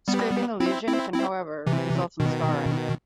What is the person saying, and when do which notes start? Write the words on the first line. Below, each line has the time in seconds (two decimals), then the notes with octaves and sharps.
Scraping the lesion can however result in scarring.
0.08 G3 B3
0.60 C4 E4
0.87 C4 E4
1.13 C4 E4
1.66 C3 E3
2.20 B2 D#3